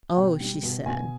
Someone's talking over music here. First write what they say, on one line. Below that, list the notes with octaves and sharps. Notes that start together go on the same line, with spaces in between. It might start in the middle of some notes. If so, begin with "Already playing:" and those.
"Oh," she said.
B2 G5
G3
B2
B2 G#5